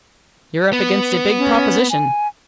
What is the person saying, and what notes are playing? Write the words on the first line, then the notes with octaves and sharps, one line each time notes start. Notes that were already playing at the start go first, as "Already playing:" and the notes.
"You're up against a big proposition."
B3
C#4
G#5